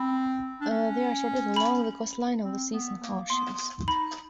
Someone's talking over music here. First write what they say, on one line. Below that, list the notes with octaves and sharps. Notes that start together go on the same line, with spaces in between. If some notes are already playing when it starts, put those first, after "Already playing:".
They are sorted along the coastline of the seas and oceans.
Already playing: C4 B5
D4
C#4
B5
C4
B3
A#3
B3 C6
D#4 B5